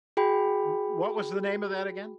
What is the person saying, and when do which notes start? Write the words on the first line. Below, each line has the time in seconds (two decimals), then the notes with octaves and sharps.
W w what was the name of that again?
0.17 F#4 G#4 G5 B5